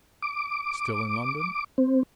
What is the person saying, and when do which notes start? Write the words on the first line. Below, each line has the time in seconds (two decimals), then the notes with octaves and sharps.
"Still in London?"
0.22 D6
1.78 C4